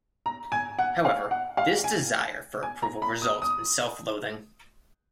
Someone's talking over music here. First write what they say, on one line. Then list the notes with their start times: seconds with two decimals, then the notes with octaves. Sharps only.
However, this desire for approval results in self-loathing.
0.26 A#5
0.52 G#5
0.79 F#5
1.05 F5
1.31 F#5
1.57 F5
1.84 G#5
2.63 G#5
2.82 A#5
3.02 B5
3.22 D#6
3.42 D#6